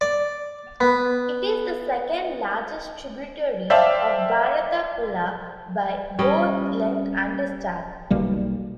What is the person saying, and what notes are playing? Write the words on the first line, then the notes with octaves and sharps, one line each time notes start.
It is the second largest tributary of Bharathapuzha, by both length and discharge.
D5
B3
C5 D5 E5 F5 G5 A5
G3 C#4 D#5
B1 B2 G3 A#3